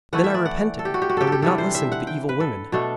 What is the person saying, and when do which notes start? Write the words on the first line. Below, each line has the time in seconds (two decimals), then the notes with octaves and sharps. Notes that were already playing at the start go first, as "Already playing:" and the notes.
Then I repented, and would not listen to the evil women.
0.13 E3 A3 E4 F#5
0.24 E5
0.34 D5
0.46 F#5
0.79 A4
0.85 G4
0.94 F#4
1.02 G4
1.09 F#4
1.17 G4 A4
1.27 G4 A4
1.42 C3 E3 G3 D4 A4
1.58 C5
1.75 E5
1.92 F#5
2.07 G5
2.29 B4
2.40 A4
2.72 B2 A3 D4 A4